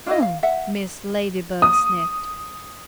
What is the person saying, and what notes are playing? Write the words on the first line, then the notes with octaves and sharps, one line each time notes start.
"Huh!" Mrs. Ladybug sniffed.
D4 E4 F4 D#5
F5
E5 F#5
D#6